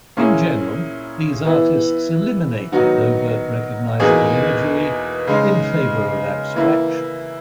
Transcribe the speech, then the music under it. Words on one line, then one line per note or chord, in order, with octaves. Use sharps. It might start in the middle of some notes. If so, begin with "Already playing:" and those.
In general these artists eliminated overt recognizable imagery in favor of abstraction.
A#2 A#3 C#4 E4 G#4
E3 B3 E4
D#3 F#3 B3 D#4 F#4
E2 B2 A#3 D#4 G#4
C#3 G#3 D#4
E3 A#3 E4